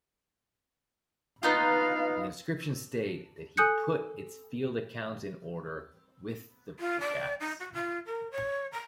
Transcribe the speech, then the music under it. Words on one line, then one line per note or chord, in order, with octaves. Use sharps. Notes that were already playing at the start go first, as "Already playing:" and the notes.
The inscriptions state that he "put its field accounts in order" with the pick-axe.
B3 D#4 F4 B4 F5
A4 G#5 D#6 F#6 G6 C#7
F4
D5
D#4
F#4
F4
A#4
C#5
A#5